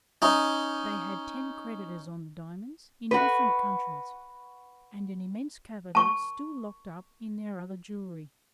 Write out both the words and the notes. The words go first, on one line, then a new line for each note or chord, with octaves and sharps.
They had ten creditors on the diamonds in different countries, and an immense capital still locked up in their other jewelry.
C#4 D#4
F#4 B4
A5 C#6